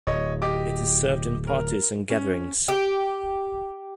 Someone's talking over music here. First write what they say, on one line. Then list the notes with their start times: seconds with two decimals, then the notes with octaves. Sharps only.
It is served in parties and gatherings.
0.07 D1 C#5 D#5
0.42 G4 D#5 D6
1.47 A#4
2.10 C#4
2.68 G4